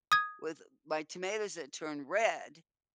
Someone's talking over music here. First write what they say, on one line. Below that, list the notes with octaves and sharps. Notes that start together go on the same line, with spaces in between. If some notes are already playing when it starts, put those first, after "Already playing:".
with my tomatoes that turn red,
D#6 G#6